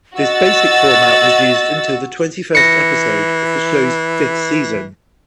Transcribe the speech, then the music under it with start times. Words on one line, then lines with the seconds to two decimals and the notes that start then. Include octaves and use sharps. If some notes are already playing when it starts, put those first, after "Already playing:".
This basic format was used until the twenty-first episode of the show's fifth season.
0.18 F#4 D#5 E6 A6
2.55 E3 A#6 C#7